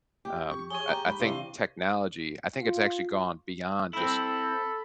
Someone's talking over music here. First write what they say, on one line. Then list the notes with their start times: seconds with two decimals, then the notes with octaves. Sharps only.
Um, I I think technology I think it's actually gone beyond just
0.25 G4
0.49 F2 C#6
0.70 G#4 C#5 C#6 G7
0.88 G4 A#5
1.05 G#2 B5
1.20 C3 E3 D4 E4 F5
2.61 F4
3.93 C4 E4 A4 B5